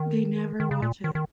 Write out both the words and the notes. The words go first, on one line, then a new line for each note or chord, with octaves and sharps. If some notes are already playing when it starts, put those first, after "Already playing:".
They never watch it.
Already playing: D#3
D#3
C#3
A#2
D#3
D#3